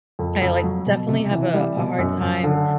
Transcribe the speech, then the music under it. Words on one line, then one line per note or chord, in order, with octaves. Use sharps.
like definitely have a a hard time
F2
F2
F#3
B2
C3
E3
G3
B2
F#2
F#2
D3